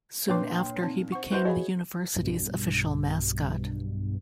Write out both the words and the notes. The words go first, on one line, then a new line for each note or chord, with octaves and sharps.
Soon after, he became the university's official mascot.
A#2 D4 B4 C#5 G5 C6 D6
C4 D#4 A5
C5 F#5 C#6
E4 F#4 B4 C5
F#4 G#4 C#5 D#5 F5 B5
B1 G2 B2